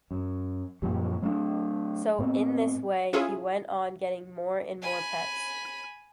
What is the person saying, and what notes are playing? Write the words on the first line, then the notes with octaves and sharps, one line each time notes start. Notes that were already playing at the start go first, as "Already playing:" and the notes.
So in this way he went on getting more and more pets.
F#2
F#2 A#2 F3 G3
F#3 A3 C4 D4
A2 B3 C4
C#4 E4 F4 G#4
G#5 B5